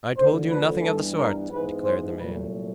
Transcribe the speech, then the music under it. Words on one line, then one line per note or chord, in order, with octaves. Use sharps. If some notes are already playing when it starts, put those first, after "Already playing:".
"I told you nothing of the sort!" declared the man.
D2 D3 F3 C5
B4
G2 E3 G3 B3 A4
A#4
G#2 E3 G#3 B3 B4
C5
C2 A#2 F#3 A3 B4